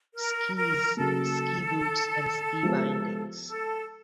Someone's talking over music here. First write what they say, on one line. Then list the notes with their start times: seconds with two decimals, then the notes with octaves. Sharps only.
Skis, Ski Boots and Ski Bindings.
0.15 A#4
0.56 A#4
0.97 C#3 F#3 A#3 A4
2.63 F3 G#3 B3 E4 G4
3.46 A4